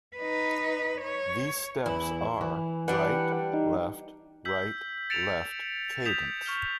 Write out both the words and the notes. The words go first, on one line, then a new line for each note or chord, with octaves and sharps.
These steps are: right, left, right, left, cadence.
D#4 B4
C#5
E2 E3 E4
E3
G3 D4 G4 B4 F#5
D#4
E6 G6 B6 F#7
A6 C#7 D7 E7 F7
D#6 G6 B6 E7 F7
C#6 F6 G7